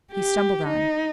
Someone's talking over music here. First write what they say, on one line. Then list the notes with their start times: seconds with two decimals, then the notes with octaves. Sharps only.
He stumbled on.
0.12 G4
0.67 D#4